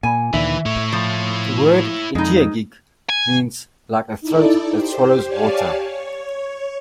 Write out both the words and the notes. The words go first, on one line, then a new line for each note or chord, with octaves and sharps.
The word Igiugig means, "Like a throat that swallows water".
A#2 G#5
D2 A#2 D#3 E3 E5
A2 E4 C#5
F3
F2 G#3 D#4
G#5
D#4 E4 A4 D5
G4 C5
G4 C#5 D5 F5 G#5 A5
C#5